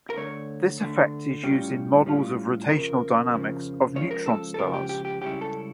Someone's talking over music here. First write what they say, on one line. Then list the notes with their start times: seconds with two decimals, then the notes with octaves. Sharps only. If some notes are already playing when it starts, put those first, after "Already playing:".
This effect is used in models of rotational dynamics of neutron stars.
0.10 A#4
0.17 D2 D3 A3 C#5
0.80 D2 D3 A3
1.43 A2 G3 C#4 F4 G4
2.06 A2 G3 C#4 F4
2.69 F2 C#3 F3 A#4
3.32 F2 C#3 F3
3.95 C#2 C#3 F3 C#5
4.11 A#4
4.26 A4
4.54 A4
4.58 C#2 C#3 F3 A#4
4.74 G4
4.89 G4
5.05 G4
5.21 C#2 C#3 G3 C#4 E4 G4
5.41 A4